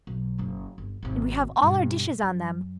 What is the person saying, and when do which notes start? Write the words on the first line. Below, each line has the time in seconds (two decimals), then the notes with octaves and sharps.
And we have all our dishes on them.
0.07 B1
0.38 F#1 F#3
0.78 G1
1.03 G#1 C3
1.62 G2 B2
2.22 F#2